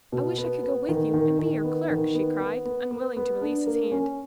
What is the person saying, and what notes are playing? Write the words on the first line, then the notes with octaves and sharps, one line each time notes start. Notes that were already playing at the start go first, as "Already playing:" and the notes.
"I wish I could go with you and be your clerk," she cried, unwilling to release his hand.
B2
B3
B3
D#3
D#3
D#3
B3
D#3
B3
B3
B3
B3
B3
D4
A#3
C#4